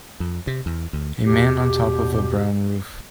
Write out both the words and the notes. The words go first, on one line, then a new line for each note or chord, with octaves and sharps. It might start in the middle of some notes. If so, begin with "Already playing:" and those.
A man on top of a brown roof.
F2
C3
E2
D2
E2 B2 G4